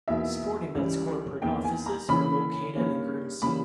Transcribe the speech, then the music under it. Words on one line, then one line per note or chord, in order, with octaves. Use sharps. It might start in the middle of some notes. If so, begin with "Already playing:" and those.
Sportingbet's corporate offices are located in Guernsey.
E2 B2 A#3 D#4 E5
C#2 C#3 E3 G3
E2 D#3 A#3 G5
G#5
A#5
C#3 E3 A#3 B5
G2 D#3 A#3 C#4
C#3 E3 G3 A#3 B5